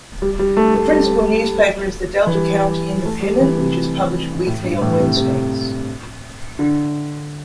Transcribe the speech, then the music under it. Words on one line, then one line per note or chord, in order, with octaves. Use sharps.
The principal newspaper is the "Delta County Independent", which is published weekly on Wednesdays.
G3
G3
A3
A3
G3
E3
G3
A3
G3
E3
C3
A2
G2
A2
C3
C3
D3